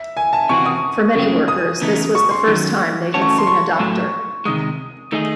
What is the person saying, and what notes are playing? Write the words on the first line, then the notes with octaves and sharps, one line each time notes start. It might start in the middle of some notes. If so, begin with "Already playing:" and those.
For many workers, this was the first time they had seen a doctor.
Already playing: E5
G#5
A5
C3 E3 C4 F#4 C#6
D#6
F#2 C#3 F#3 C4
D#6
E2 C#3 E3 A3 D#4
C#6
C6
F#2 D#3 F#3
E3 A3 C#4 F#4 C#5 A5
C#6
A5
C6
C#6
A2 F#3 A3
C3 D#3 G#3 D#6
D#3 A3 D#4 G#4 D#5